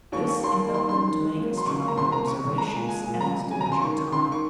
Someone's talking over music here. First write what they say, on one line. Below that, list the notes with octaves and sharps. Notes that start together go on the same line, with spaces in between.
This impelled them to make astronomical observations and to measure time.
D#2 C#6
A#3 C#6
D#2 C6
A#3
D#3 C6
F#2 C6
D#3
G#3
A#3
F#3
C6
C#2 C#6
A#3
A#5
C2 C6
A#3 A#5
C3 C#6
C2
G#3 A#5
A#2
G#3 G#5
A#2
C#2 A#5
C3
F#3 G#5
A#5
C#2
C6
D#3 C#6
D#3
C#2 C6
D#3 C#6